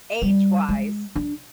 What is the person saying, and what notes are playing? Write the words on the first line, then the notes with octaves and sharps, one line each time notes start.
age wise
G3
G#3
D4